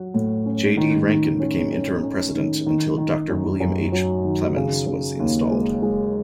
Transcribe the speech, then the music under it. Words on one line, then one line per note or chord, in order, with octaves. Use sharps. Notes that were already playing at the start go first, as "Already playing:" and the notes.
J. D. Rankin became interim president until Doctor William H. Plemmons was installed.
Already playing: F#3 F#4
A2
C#4
D#3
D#3
C#4
C#4
C#4
D#3
D#3
D#3
F#2
F#2
F#3
D#3
C#3
C#3
D#2
G#3
G#3